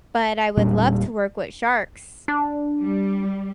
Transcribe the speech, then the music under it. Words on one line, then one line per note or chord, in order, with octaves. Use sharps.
But I would love to work with sharks
E1 A#2 G3 D4
D4
G3